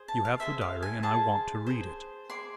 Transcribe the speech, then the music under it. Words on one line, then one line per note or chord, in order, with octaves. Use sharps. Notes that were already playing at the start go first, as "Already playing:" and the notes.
You have the diary and I want to read it.
Already playing: G#4 C5
A5
F5
G#4 C5 E5
F5
G#5
G#4 C5 A5
G#4 C5
G#4 D5 C6